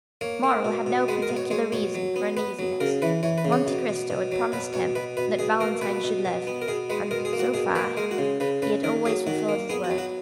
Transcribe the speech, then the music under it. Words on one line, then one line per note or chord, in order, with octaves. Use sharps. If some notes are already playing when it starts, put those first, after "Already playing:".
Morrel had no particular reason for uneasiness; Monte Cristo had promised him that Valentine should live, and so far he had always fulfilled his word.
A#3 C#5
A#3
B2
B2
G#3 B4
A#4
B2
C#5
G#3 C#5
B2 C#5
F#3
B3
B3 B4
F#3
C#3 A#4
E3 B4
E3 C#5
B4
C#3
C#5
B2
B2
B2
F#3
B2 B4
B2 C#5
B2 B4
B2 B4
B2 G#4
A#3 A#4
B2 B4
B2
B2
B3
A#4
B2 G#4
G#3 B4
B2 A#4
G#4
A#3
F#4
B2 G#4
A#3 B4
G#3 A#4
F#4
C#3
C#3 B4
C#3 B4
D#3 A#4
F#3 G#4
D#3 F#4
A#3
B3 G#4
F#4
F#3
F#4